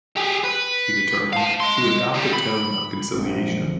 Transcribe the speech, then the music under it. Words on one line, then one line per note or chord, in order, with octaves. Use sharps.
He determined, to adopt a tone of conciliation.
G4 G#4
B4
F5 A5
D#5 C6
D#3 G3
B5
A#1 F#2 F3 G#3 C4